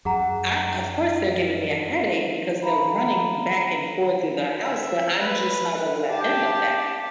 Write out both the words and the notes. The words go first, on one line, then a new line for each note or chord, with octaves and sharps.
I of course, they're giving me a headache because they're running back and forth through the house, but I'm just not gonna let them know that.
F#2 G#4 F#5 A#5
F5 A#5 B5
E5
B4
G4 A5